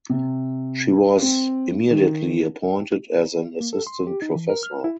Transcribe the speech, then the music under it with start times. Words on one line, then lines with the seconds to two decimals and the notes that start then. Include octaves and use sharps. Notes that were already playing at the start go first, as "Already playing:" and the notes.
She was immediately appointed as an Assistant Professor.
0.10 C3
1.22 C4
1.91 D#3
3.61 A#3
3.73 A4
3.87 C6
4.07 G4
4.22 D#4
4.35 E3
4.49 A#4
4.63 F6
4.84 E4